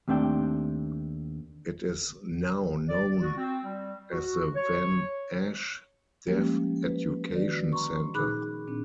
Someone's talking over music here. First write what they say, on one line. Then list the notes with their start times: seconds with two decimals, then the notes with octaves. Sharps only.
It is now known as the van Asch Deaf Education Centre.
0.08 D#2 A3 C4 D4 G5
2.88 D5
3.21 F#4
3.37 C4
3.64 G3
4.12 F#4
4.55 C#5
6.27 F3 G3 G#3 A#3 C#4 G4
6.85 B4
7.31 D#3 F#4 B4 D5
7.73 A#5 C6 C#6
8.14 A#2 D#4 G#4 B5 D6 F#6
8.67 A#2 C4 D4